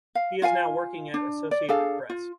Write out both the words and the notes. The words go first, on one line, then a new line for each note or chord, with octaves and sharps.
He is now working at Associated Press.
F5
F4 F5 F#5 G#5
D4
D5
D4 G#4 A4 F5
F4